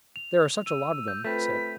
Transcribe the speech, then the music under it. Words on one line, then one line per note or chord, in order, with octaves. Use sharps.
"There are such a lot of them," he said.
F7
E6 D#7
G6
A3 C4 F4 B4 B5 B6